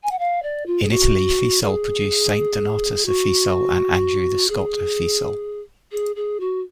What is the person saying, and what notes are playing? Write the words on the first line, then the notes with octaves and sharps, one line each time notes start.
In Italy, Fiesole produced Saint Donatus of Fiesole and Andrew the Scot of Fiesole.
G#5
F#5
F5
D5
F4
G#4
F#4
G#4
F#4
G#4
G#4
G#4
F#4